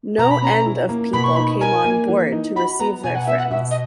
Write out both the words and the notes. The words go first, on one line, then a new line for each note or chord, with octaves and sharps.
No end of people came on board to receive their friends.
B2 A#5
B5
C#4 A#5
E4
A#3
B2 B5
C#6
D#4 B5
A#4 G#5
A#3
E3
D#4
F#4 B5
B3 A#5
B2 G#5
F#5
B3 E5
F#5
B2 E5
D#5